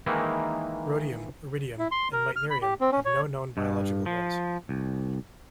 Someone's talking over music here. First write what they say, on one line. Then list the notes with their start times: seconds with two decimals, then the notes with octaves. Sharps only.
Rhodium, iridium, and meitnerium have no known biological roles.
0.06 D#3 E3 G#3 A#3 D#4 E4
1.79 E4
1.91 C6
2.13 A#4
2.36 F6
2.50 B5
2.62 G4
2.81 C4
2.92 C#4
3.05 C#5
3.57 G2
4.06 F3
4.69 C2